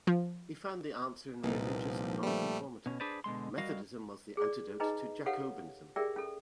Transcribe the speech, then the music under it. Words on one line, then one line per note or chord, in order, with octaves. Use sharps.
He found the answer in religious nonconformity: Methodism was the antidote to Jacobinism.
F3
C2 A#2 F3 A#3 B3 D#4
G3 A3
B2 C#4
D4 G#4 B4 C5 D5
B2 D3 G#3 C6
G3 F#4 A#4 D#5 F5
G#4 D5
D4 D#4 G#4 B4 D#5 A#5
G4 A4 B4 C#5 F5 F#5
G4 G#4 A#4 D5 E5 G5
C#4 A4